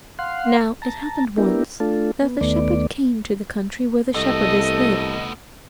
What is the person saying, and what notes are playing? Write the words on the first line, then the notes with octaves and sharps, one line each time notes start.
Now it happened once that the shepherd came to the country where the shepherdess lived.
F5 F#5 C6
A5 A#5
B3 D4 E4 G4 A#4
A3 D4 F4 A4
B3
D#2 D#3 A3 B3 D5
C2 A3 B3 A4 D#5